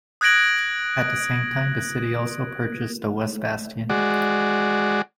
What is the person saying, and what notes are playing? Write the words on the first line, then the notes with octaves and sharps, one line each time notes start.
At the same time the city also purchased the West Bastion.
D#6 F#6 G#6 A#6 D7 F#7
G#3 F#4 D5